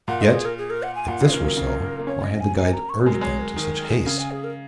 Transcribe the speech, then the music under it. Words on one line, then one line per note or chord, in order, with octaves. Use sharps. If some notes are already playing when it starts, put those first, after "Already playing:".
Yet, if this were so, why had the guide urged them to such haste.
A#2 F#5
D#5
G#4
A#4
G#4
A#4
F#5
G#5
A#2 F#5
C#3
D#3 A#4
F#3
C#3
A#3
A#3
C#4 C#5
D#5
G#5
A#3 G#5
A#5
C#6
C#5
G#3 A#4
F#3
G#3 C#5
A#4
D#3 A#4
A#4
G#4
C#3 A#4
G#5
G#4
A#4